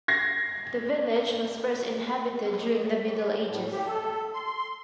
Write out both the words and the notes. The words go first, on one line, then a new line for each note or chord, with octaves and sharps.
The village was first inhabited during the Middle Ages.
G#6 A#6 C7
A2
G4
A4
C6